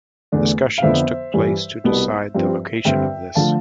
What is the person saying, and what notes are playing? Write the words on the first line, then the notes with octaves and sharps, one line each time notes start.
Discussions took place to decide the location of this.
E2 D3 A3 D4
F5
F2 D3 F3 B3 C5 E5
G2 E3 G3
C2 B2 G3 B3
G2 F3 C4
G2 D3 G3 C4 E5 G5
D3 F3 A3 F5 A5